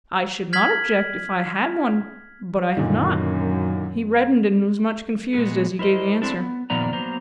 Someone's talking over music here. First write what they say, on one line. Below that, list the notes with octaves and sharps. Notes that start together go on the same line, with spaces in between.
'I should not object, if I had one; but I have not.' He reddened and was much confused as he gave the answer.
F6 G#6 B6 F#7
F#2 A#2 D3 D#3
A#2 G#3 B3 E4 G#4
E4 A#4 C5 D#5
C4 D4 E4 A4
B3
A#2 D#3 F3 B3 D5 A#5
F#3 A#3 B3 C5 A#5